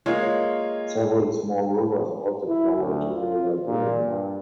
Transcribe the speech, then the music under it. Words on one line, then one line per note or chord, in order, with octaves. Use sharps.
Several small rivers also flow into the lagoon.
G#3 A#3 F4 C#5
E4
D2
F4
A#2
G2